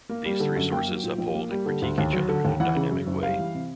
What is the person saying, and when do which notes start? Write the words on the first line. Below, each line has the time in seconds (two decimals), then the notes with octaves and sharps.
These three sources uphold and critique each other in a dynamic way.
0.09 A#3
0.25 G3
0.40 D3
0.56 F#2
0.72 A#3 G5
0.88 F#3
1.04 A#2
1.18 A#1
1.35 A#3
1.50 G3
1.66 D3
1.82 D2
1.98 D#2
2.13 F#3
2.29 D3
2.45 D#2
2.60 E3 F#5
2.76 C#3
2.91 F#2
3.07 F#1
3.23 G3 F5
3.39 E3
3.55 C3